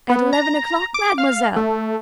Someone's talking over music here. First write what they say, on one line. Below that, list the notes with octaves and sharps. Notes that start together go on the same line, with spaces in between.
"At eleven o'clock, mademoiselle?"
B3
A#5
D6
F5
A3